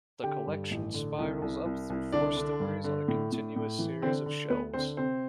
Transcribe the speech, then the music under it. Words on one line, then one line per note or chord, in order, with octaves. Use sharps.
The collection spirals up through four stories on a continuous series of shelves.
D3 G4 G5
G2
A1
D3
C2
C2
C2
C2
D3 D4 D5
D3
G2
D3
A2
A2
A2
E3
D3 C4 C5
D3
D2 B3 B4
D3 C4 C5
C3 C4 C5